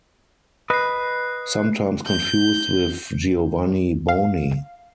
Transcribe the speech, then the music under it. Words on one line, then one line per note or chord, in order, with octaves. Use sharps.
Sometimes confused with Giovanni Boni.
B4 D#5 F#6 C7
G6
F5